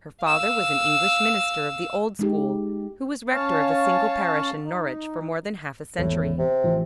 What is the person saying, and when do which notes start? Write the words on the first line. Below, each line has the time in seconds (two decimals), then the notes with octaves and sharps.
Her father was an English minister of the old school who was rector of a single parish in Norwich for more than half a century.
0.24 F5 E6
2.19 G#3 D#4 G4
3.33 C#4 C#5 F5 A5
4.63 D#4
5.98 G#1 E2 A2
6.39 C3
6.64 A1 E3 F3